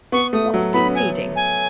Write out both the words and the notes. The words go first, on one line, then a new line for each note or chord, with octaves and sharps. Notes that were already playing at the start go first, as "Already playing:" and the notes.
What's it been reading?
B3 C#6
A3 D#6
F#3
B3 B5
G#5
G#5